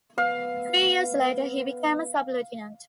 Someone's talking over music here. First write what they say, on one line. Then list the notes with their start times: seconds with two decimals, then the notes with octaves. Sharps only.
Three years later he became a Sub Lieutenant.
0.18 B3 F5